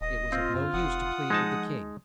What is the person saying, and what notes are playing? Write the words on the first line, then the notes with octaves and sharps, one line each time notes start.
It was of no use to plead with the king.
D#1 D#5
C4 F4
F#2
F1 F#5 D#6
F3 G#3 D#4 A5